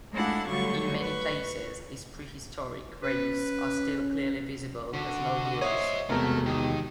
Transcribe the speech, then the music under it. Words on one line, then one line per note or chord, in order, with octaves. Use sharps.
In many places, these prehistoric graves are still clearly visible as low hills.
G#3 A3 D4 E4 F5 F#5
D3 F#3 G3 A3 C#6
B4 C#6
C#4 B4
D3 F#4
C5 C#5 D#5 E5
E1 C3 A3 B3 A#4
D#3 G4